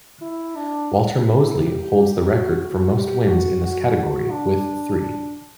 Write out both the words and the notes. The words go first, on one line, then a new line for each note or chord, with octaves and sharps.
Walter Mosley holds the record for most wins in this category, with three.
E4
D4
E4
G4
F#4
F#4
G4
F#4
F#4
F#4
D4
D4